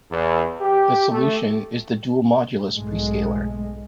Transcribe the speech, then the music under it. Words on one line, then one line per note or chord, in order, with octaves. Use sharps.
The solution is the dual modulus prescaler.
E2
G4
A3
B1 G#2 G#3 A3